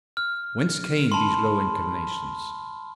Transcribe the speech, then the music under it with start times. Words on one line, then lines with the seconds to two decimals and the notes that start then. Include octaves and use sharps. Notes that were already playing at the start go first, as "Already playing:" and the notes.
Whence came these low inclinations?
0.17 F6
1.12 A5 B5 C6